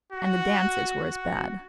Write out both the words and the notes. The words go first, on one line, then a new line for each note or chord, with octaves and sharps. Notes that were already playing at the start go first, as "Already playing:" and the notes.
And the dances were as bad.
F#4
F#4